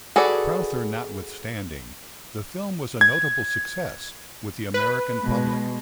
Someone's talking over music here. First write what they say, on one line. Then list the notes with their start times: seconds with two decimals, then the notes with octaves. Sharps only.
Crowther notwithstanding, the film was a notable success with the American public.
0.16 F#4 G#4 A4 B4 D5
3.01 G#6
4.74 B4
5.22 B2 G#3